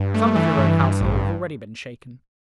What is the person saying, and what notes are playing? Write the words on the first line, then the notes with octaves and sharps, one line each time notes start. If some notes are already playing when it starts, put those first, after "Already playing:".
Some of your own household have already been shaken.
Already playing: G2
A3
E3
G2
G2
A1